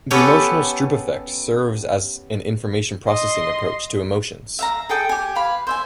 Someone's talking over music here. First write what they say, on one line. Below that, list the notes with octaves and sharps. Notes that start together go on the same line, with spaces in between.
The emotional Stroop effect serves as an information processing approach to emotions.
B3 C#4 G4 A4 B4 C#5
D#5 C6
E5 F5 A#5
G#4 A4 G5 D#6
G4 G#5
B4 F5 B5
C5 E5 G#5